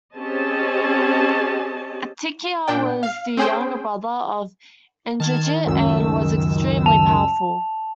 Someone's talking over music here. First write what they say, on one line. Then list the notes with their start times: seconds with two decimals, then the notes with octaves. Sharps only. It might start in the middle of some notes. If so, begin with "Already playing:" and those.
Atikaya was the younger brother of Indrajit and was extremely powerful.
0.16 C4 C#4 G4 G#4 D#5 A5
2.68 A#2 D4 G5
3.03 F5
3.37 C4 C#4 G#4 C5 G5
5.20 D#3 A5 F6 G#6
5.67 C#2 F#2 E6
6.86 A5 F7